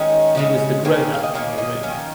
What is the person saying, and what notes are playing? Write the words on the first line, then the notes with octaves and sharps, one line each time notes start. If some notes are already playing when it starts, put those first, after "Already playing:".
He was the grownup in the room.
Already playing: D#3 G#3 C#4
C#3 G#3 C#4
D#3 A#3 C#4 C#5
F5
D#5
D#3 A#3 C#4 C#5
D#5
D#3 C#4 F5